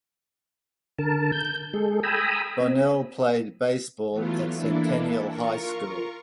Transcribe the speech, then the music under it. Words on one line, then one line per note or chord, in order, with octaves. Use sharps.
Bonnell played baseball at Centennial High School.
D3 A#4 A5
G6
G#3 G#4 A4
G5 G#5 A#5 B5 D#6 E6
C4
E3 F#3 A3 B3 F4
E3 A#3 D4 E4 A4
F4 A#4 C#6